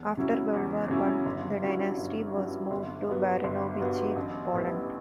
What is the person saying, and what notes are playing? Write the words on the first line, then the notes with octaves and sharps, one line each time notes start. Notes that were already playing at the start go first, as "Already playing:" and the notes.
After World War One, the dynasty was moved to Baranovichi, Poland.
Already playing: E2
C#3 F#3 C#4 E4
E2
C#3 F#3 C#4 E4
G1
G2 F#3 C#4 E4
G1
G2 F#3 C#4 E4
G1
G2 F#3 B3
G1
G2 F#3 B3
A1
A2 G3 B3 E4